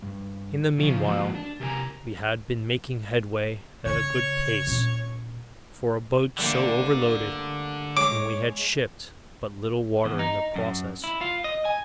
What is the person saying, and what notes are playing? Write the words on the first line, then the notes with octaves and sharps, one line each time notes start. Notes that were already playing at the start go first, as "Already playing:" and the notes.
In the meanwhile we had been making headway at a good pace for a boat so overloaded, and we had shipped but little water in the process.
G2
C#3 F3 C#4 F4
F3 F#3 G#3 A#3 D#4 F#4
D4
C3 G4 A#4 C#5 G#5 A#5
C#3 C#5
A#2 C#4
D3 G3 A3 A#3
G#3 C#5 D6
E2
D#4
F#2
E4
F4
D#5
G#5